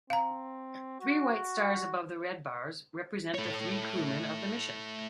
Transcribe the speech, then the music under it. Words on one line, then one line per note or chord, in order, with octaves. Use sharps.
Three white stars above the red bars represent the three crewmen of the mission.
C4 F5 A#5
F#4
A3 C#5